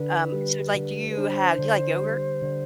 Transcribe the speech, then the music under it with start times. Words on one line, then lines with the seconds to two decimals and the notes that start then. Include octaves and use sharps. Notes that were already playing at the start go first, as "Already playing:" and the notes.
Um, so like, do you have do you like yogurt?
Already playing: D3 D4 B4
0.32 G3
0.74 D3
1.10 B4
1.17 D4 C5
1.58 D3
2.01 G3
2.42 D3